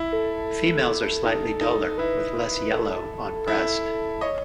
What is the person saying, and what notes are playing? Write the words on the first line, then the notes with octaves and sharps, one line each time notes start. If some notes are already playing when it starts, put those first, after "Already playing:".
Females are slightly duller, with less yellow on breast.
Already playing: E4
A4
D#4
D#4
E4 B4
B4
A4
E4
C#5 D#5